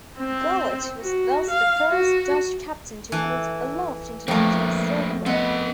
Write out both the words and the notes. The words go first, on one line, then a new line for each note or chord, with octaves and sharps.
Gullit was thus the first Dutch captain to hold aloft international silverware.
C4
F#4
F5
F#4
E3 A4
F2 A3 A#3 C4
B3 C4 D#5